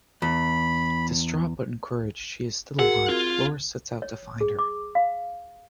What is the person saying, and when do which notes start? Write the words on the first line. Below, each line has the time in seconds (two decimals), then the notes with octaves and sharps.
Distraught but encouraged she is still alive, Floris sets out to find her.
0.22 E2 B5
2.79 F#4 G#4 A#4 F#5
3.09 C4 F4 G#6
4.02 C#5
4.41 G#4
4.59 D6
4.95 F5